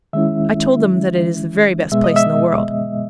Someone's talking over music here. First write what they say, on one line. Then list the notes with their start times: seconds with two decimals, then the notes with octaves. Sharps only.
I told them that it is the very best place in the world.
0.13 D#3 G#3 C#4 E4 E5
1.91 B2 G#3 B3 E5
2.04 D#5
2.16 E5